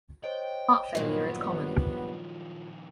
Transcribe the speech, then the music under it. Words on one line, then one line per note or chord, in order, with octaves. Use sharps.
Heart failure is common.
C5 C#5 D#5 G5
G2 A#2 D#3 F3 F#3 B3